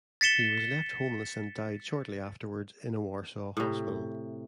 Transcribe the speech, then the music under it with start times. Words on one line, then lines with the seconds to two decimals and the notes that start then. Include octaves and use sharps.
He was left homeless and died shortly afterwards in a Warsaw hospital.
0.21 A6 B6 C#7 E7 G7
3.57 A2 C3